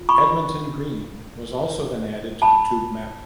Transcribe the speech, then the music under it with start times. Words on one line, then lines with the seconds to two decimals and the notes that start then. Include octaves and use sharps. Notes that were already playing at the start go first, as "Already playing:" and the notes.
Edmonton Green was also then added to the Tube map.
Already playing: F4
0.09 B5 C#6
2.42 A5 B5